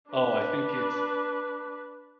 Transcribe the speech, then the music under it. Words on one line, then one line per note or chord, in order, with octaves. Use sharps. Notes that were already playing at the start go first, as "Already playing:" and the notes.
Oh, I think it's
D4 B4